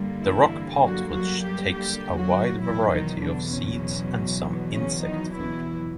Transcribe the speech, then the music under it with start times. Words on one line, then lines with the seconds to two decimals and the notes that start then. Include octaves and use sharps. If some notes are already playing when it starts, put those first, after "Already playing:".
The rock partridge takes a wide variety of seeds and some insect food.
Already playing: G2 D3 G3 A#3
0.22 E3 E4
0.82 F#3 F#4
1.12 F#3 F#4
1.42 G3 G4
1.72 G3 G4
2.17 F#3 F#4
2.62 E2 B2 E3 F#3 E4
2.92 D#3 D#4
3.21 D3 D4
3.52 C#3 C#4
4.42 B3
4.71 C#3 C#4
5.02 D#3 D#4
5.32 E3 E4